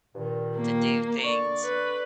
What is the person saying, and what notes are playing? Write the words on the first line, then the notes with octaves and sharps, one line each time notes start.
to do things,
G2 A#2 D#3
A#3
D3 D5 C#6
B4